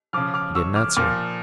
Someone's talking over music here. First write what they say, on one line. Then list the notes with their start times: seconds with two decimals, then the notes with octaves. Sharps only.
He didn't answer.
0.13 C#3 F3 D6 F6
0.34 D6 F6
0.55 C#6 E6
0.76 D6 F6
0.96 A#2 F3 D6 F6